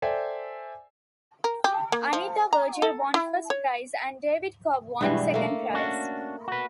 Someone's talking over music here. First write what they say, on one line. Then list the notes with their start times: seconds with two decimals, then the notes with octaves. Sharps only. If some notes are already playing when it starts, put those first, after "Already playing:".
Anita Virgil won first prize, and David Cobb won second prize.
0.02 A4 C5 D5 E5 G5 G#5
1.44 A#4
1.64 G4
1.92 A#3
2.13 F3
2.53 A#5
2.82 A4
3.14 E4
3.50 C#5
5.01 B1 G2 E3 G3 G#3 F#4
5.34 A3 A#3
5.74 C#4 D4 F#4
6.48 F#4 B4